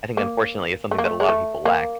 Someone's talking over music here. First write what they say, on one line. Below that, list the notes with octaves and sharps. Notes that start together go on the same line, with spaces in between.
I think unfortunately it's something that a lot of people lack.
A#3
A3
A#3
A3
G#3
A3
A#3